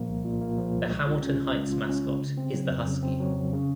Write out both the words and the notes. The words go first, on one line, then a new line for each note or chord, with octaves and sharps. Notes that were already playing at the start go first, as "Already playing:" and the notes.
The Hamilton Heights mascot is the husky.
Already playing: A#2 F3 A#3
C2
A#2
A#3
F3
C2
G#3
F4
C#4
C#3
G#3
F4
C#4
C#3
C#3
C4
F#3
F2
C#3
C4
F#3
F2
C#3